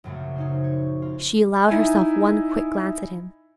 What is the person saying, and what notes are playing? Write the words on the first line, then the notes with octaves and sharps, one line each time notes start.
She allowed herself one quick glance at him.
A#1 F#2 C#3 A3
C#4 D#4 C5
C#5
F4 A#4
D#4 E4 E5 G#5